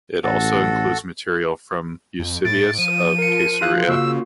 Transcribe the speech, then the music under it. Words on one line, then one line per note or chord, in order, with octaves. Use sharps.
It also includes material from Eusebius of Caesarea.
A1 F#4 A4
F2
A2 A6 D7
F3 D#7
A#4 C#7
F4 F5 F#6
C#3 A#3 F4 F#4 E6